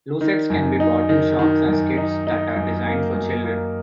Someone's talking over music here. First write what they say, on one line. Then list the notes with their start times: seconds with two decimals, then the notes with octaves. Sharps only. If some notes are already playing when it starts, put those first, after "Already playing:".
Lucets can be bought in shops as kits that are designed for children.
0.21 D#3
0.50 F#2
0.80 D#4
1.09 D#3
1.39 D#3
1.68 F#2
1.97 D#4
2.27 D#4
2.56 F#2
2.86 A#3
3.15 F#2
3.44 A#3